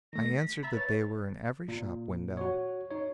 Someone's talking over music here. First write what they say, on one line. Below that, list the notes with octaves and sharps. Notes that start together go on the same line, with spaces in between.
I answered that they were in every shop window.
D#3 A3 A#6
B6
E5 A#5 B5 A6
B4 C#5
A#2
F#4 C#5
D#4 C#5